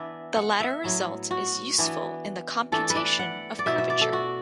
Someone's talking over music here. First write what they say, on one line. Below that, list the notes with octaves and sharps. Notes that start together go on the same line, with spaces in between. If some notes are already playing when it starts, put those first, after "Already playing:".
The latter result is useful in the computation of curvature.
Already playing: E3 B3 D4 E5
F#5
E5
A2 F#3 B3
F#4
E3 B3 D4
E3 A3 D4 A4
B4
D5
F#5
D5
B2 B3 E4 E5
E5
D5
A4
F#4